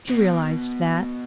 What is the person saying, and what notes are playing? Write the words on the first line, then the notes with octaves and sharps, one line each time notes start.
She realized that.
B2